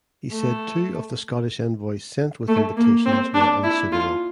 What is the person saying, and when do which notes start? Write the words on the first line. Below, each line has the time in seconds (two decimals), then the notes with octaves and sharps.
He said two of the Scottish envoys sent with invitations were unsuitable.
0.32 A3
2.48 A3
2.77 A#3
3.06 C4
3.34 D4
3.63 E4
3.92 F4